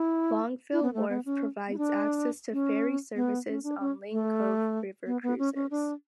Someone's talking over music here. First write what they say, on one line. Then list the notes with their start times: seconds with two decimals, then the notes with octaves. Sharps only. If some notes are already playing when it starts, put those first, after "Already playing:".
Longueville Wharf provides access to ferry services on Lane Cove River Cruises.
Already playing: E4
0.73 E4
0.83 B3
0.94 A3
1.09 B3
1.25 C#4
1.68 B3
1.74 E4
1.78 D4
2.53 C#4
3.16 B3
3.48 C#4
3.64 D4
3.80 C#4
4.12 A3
5.06 B3
5.23 B3
5.39 C#4
5.55 C#4
5.71 D4